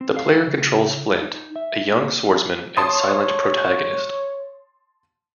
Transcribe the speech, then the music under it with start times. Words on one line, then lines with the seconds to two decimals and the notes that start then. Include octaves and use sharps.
The player controls Flint, a young swordsman and silent protagonist.
0.01 C4
0.16 F5
0.47 C#3
1.22 D#4
1.56 E5
1.93 A#3
2.77 C#5 A5 C6 D#6